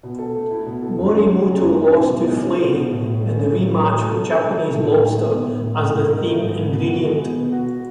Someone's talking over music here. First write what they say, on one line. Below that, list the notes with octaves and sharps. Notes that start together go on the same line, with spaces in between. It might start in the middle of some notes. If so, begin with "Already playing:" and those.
Morimoto lost to Flay in the re-match with Japanese lobster as the theme ingredient.
B2
A4
A3
E4
B2
A4
F#2
C#4
C#3
F#3
F#2
C#4
B2
B2
G#3
C#4
B2
B2
A2
A2
G#3
C#4
A2
A2
F#3
A4
A3
D#4
F#3
A4
A2
A2
G#3
B3
A2
A2
G#2
E4
D#3
A3
G#2
E4
B2
F#4
G#3
B3
B2
F#4